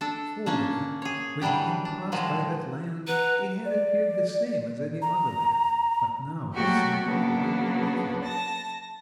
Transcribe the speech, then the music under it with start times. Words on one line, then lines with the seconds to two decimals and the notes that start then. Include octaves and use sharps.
Formerly, when he had passed by that land, it had appeared the same as any other land, but now it seemed quite different.
0.01 D4 A4
0.46 A#3 C#4 D4
1.02 G#4 C#5
1.41 E3 F#3 G3 D4 G4
1.85 D4
2.12 A#2 D#3 F3 F#3 G#3
3.07 B4 F#5 A#5
3.65 D5
5.02 A#5
6.53 F#3 A3 A#3 F#4 G4
7.04 C#3 F#3 A#3 B3 D4
8.23 A5 A#6